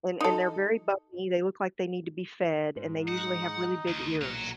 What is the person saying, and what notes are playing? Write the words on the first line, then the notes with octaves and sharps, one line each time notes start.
and and they're very bumpy, they look like they need to be fed and they usually have really big ears.
D#4 A4
G#2
D#4 F#5
D2
B1 A#2 F#5 A#5